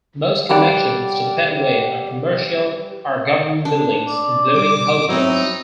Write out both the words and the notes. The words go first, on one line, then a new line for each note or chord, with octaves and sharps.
Most connections to the pedway are commercial or government buildings, including hotels.
G3 D5 F#5 D6
D4
D5
G3 D6
F#3 C4 D#4 E4